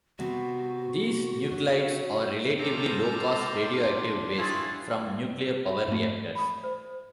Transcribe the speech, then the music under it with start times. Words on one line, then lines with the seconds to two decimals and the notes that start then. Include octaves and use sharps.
These nuclides are relatively low-cost radioactive waste from nuclear power reactors.
0.19 C3 B3 C4 F#4
1.51 F#3
2.59 C3 G3 F4 A4 A#5
3.66 D4 C6
4.38 C4 E4 F4 G#4 C#5 F#5
5.68 F4 A#4 E5
5.88 G#2 A3
6.35 B5 D#6
6.64 C5